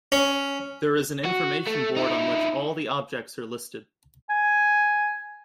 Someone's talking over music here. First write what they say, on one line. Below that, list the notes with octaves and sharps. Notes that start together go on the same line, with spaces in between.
There is an information board on which all the objects are listed.
C#4
F#4
A3
D#4 E4
G#5